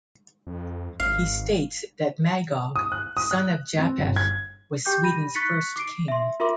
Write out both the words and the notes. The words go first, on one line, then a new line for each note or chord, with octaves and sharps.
He states that Magog, son of Japheth, was Sweden's first king.
F2
G#1 F5
D#6
F#6
D#6
F#6
C4
G1
G#6
G4 G5 D6 G6
B5 A#6 D#7
C#6 F#6 A6 B6 C#7
D6 C7 D7
E5 C6
F4 A#4 E5 C6 D6